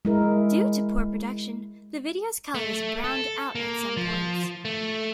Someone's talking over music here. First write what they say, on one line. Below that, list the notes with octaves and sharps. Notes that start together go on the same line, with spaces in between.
Due to poor production, the video's colour is 'browned out' at some points.
G#3 E4 A#4
A3
A4
A#3
F3
A3